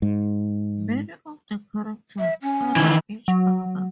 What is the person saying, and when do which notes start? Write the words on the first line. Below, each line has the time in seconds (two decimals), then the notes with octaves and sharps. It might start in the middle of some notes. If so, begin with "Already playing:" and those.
Many of the characters "other" each other.
0.02 G#2
2.19 E5
2.42 C#4
2.76 D#3 E3
3.28 F#3